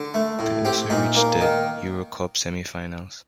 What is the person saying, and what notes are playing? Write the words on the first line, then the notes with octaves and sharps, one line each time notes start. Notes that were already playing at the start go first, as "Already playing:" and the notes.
They also reached the EuroCup semifinals.
Already playing: D3
A3
A2
C4 G4
A#2 D#4
A#3
D#3